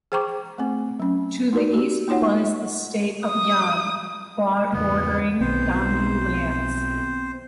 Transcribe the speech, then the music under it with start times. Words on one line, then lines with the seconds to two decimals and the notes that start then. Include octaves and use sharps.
To the east lies the State of Yan bordering Donghu lands.
0.12 G#4 C5 G5 A#5 C#6 D6
0.58 A3 C4
1.00 F#3 C#4
1.53 D#4 F#4 B4 D5
1.73 F#4 G4
2.08 A#3 D#4 F4 C#5 F#5
3.26 D#6
4.73 E2 G#2 C#3 B3
5.41 B1 D#3 B3 C4 C5